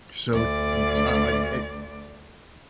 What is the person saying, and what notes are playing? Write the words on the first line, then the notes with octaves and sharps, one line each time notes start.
So n I e eh
D2 D5